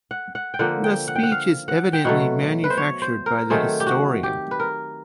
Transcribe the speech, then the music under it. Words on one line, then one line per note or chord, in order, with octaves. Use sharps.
The speech is evidently manufactured by the historian.
F#5
F#5
G5
D3 F3 A#3 F#5
G5
F#5
G5
F#5
F5
F#5
G5
B2 F#3 A3 F#5
B4
C5
C#5
C5
A#4
D#3 F#3 A3 C4 G#4
G4
F#4
G4
B4
A#4